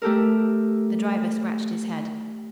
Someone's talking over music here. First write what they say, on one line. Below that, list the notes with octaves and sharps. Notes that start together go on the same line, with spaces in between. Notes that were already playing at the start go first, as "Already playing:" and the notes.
The driver scratched his head.
A3 G4 A4 A#4